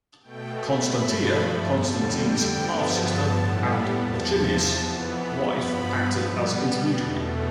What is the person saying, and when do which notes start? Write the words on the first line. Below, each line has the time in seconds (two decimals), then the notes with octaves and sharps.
Constantia, Constantine's half-sister and Licinius' wife, acted as intermediary.
0.22 B2 A3 G5
0.60 B5
0.97 G2 F3 A3
1.72 F2 D3 G3 A5
2.11 G5
2.48 G2 D3 F3 B3
2.84 A5
3.22 A2 G3 B3
3.60 B5
3.97 E2 C3 F3 A5
4.71 F2 E3 B3
5.10 B5
5.46 G2 F3 B3 B5
6.22 B2 G3 B3
6.96 E2 B2 A3